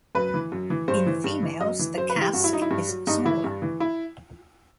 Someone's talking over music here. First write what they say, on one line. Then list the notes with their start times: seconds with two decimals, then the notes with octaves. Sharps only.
In females, the casque is smaller.
0.15 F#2 B4
0.34 E3
0.52 F#2
0.70 E3
0.88 G2 C5
1.07 E3
1.24 G2
1.43 E3
1.61 F#2 D#5
1.79 E3
1.97 F#2 C5
2.10 B4
2.16 E3
2.21 G4
2.34 G2 F#4
2.44 E4
2.52 F#3 D#4
2.62 E4
2.71 G2
2.88 F#3
3.07 G2 D#4
3.25 E3 E4
3.44 G2
3.62 E3
3.80 E4